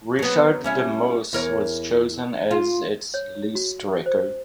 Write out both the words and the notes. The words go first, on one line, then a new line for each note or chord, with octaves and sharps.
Richard de Mos was chosen as its "lijsttrekker".
F#3 B3
G3 C#4 E4
E2 A#4 C#5
F4
C#5
F#4
C5